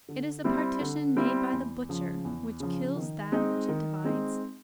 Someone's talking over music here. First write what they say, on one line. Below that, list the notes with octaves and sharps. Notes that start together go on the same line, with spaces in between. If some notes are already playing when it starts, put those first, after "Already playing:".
It is a partition made by the butcher, which kills that which it divides.
D3
G3 C4 E4
D3
G3 C4 E4
E2
C#3 F3
E2
C#3 F3
D#3
G#3 C4 D#4
D#3
G#3 C4 D#4